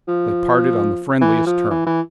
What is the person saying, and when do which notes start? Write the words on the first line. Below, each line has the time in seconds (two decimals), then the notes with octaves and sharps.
They parted on the friendliest terms.
0.08 F3
1.21 E3
1.47 F3
1.70 E3
1.86 E3